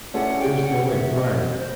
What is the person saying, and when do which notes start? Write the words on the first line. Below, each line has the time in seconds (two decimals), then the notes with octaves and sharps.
There's no way. Right.
0.14 G#3 C#4 E4 A4 D5 F#5
0.40 G5
0.65 F#5
0.90 E5
1.16 D#5
1.58 C5